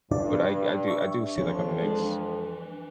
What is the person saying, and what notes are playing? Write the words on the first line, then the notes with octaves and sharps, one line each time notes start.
But, I I do I do see, like, a mix.
G2 D4 D5
E5 C#6
F2 E3 F3 C#5
G#3 D4